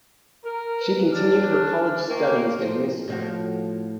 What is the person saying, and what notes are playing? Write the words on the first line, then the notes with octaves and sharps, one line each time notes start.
She continued her college studies in Mysore.
A#4
B4
F#3 D4 F6
D#3 A#3 A#4
F3 C5
A2 F3 F#4